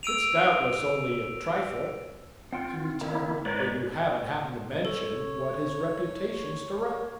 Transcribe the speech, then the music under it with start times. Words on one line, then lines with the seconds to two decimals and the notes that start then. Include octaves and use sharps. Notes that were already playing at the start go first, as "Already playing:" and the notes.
"It's doubtless only a trifle," he returned, "but you haven't happened to mention what his reputation's to rest on."
0.03 E6 D7 D#7 F7
2.52 C4 F4 F#5 G5
3.01 D#3 A#3 E4
3.45 G#2 A#4 B4 C#5 D5
4.85 A4 C#5